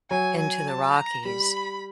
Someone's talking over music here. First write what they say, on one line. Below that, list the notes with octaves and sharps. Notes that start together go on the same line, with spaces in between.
into the Rockies,
F#3 G#5
G#5
A5
A#5
G3 B5